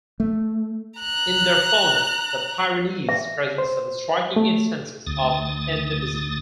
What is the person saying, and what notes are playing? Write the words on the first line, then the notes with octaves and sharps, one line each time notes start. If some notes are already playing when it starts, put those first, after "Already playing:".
In their fauna the Pyrenees present some striking instances of endemism.
A3
A#5 F#6
E5
C5
A3
D2 D#6 A6